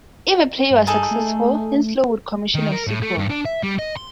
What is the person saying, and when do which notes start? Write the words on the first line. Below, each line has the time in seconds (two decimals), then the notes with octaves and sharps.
If a play was successful, Henslowe would commission a sequel.
0.71 G2
0.87 D#4 G#4 A4
1.11 A3
2.55 D#3
2.72 A#4
2.87 A2
3.02 A3
3.17 G2
3.30 D4
3.45 E5
3.63 G3
3.79 D#5
3.96 C6